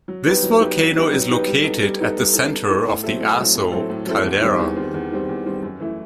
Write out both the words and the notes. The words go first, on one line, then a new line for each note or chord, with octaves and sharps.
This volcano is located at the centre of the Aso caldera.
F#3
B3 D#4 G4 B4
F#3
B3 D#4 G4 B4
F#3
B3 D#4 G4 B4
F#3
B3 D#4 G4 B4
G3
B3 D#4 A4
G3
B3 D#4 A4
G3
B3 D#4 A4
G3
B3 D#4 A4
A2
F#3 C4 E4 A4
A2
F#3 C4 E4 A4
A2
F#3 C4 E4 A4
A2
F#3 C4 E4 A4
E2
D#3 G3 C4
E2
D#3 G3 C4
E2
D#3 G3 C4
E2
D#3 G3 C4
F#2
E3 A3 E4